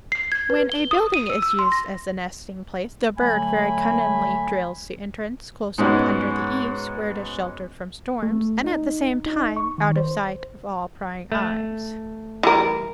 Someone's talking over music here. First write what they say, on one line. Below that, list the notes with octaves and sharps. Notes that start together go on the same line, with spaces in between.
When a building is used as a nesting place, the bird very cunningly drills the entrance close up under the eaves, where it is sheltered from storms, and at the same time out of sight of all prying eyes.
C7
G#6
B4
G7
D#6
D#7
E6
E6
C6
A#6
D3 F#3 A3 G#5 B5
G#2 G#3 B3 C#4 D#4 F#4
A3
D#4
D#4
C#6
D#3
C5
A3
E3 G3 A#4